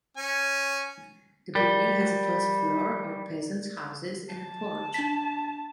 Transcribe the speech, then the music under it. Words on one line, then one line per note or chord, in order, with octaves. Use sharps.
The building has a first floor, or peasants’ houses, and a porch.
C#4 G#5
G3 A#4 D5 G7
A5
D4 B6